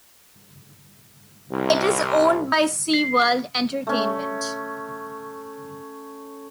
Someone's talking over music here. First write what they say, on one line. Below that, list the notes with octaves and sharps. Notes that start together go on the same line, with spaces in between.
It is owned by SeaWorld Entertainment.
C2
C7
A3 C#4